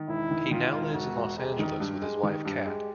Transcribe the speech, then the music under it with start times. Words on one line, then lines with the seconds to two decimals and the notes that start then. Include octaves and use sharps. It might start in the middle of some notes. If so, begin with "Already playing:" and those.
He now lives in Los Angeles with his wife Kat.
Already playing: D#3
0.08 E1 E4
0.31 D#3
0.51 D#3 F4
0.73 E1
0.94 E1 F#4
1.17 E1
1.37 G#3 G4
1.59 D#3
1.80 G2 G4
2.02 G#3
2.23 D#3
2.45 G2
2.65 G#3